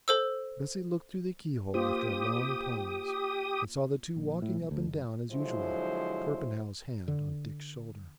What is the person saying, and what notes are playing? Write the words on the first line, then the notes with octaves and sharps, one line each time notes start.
Bessie looked through the keyhole after a long pause, and saw the two walking up and down as usual, Torpenhow's hand on Dick's shoulder.
A4 C5 E6
A#3 F4 G4 C5 D#6
A#1
A2
B1
D2
F#1
D3 F3 F#3 G#3 E4 C5
D3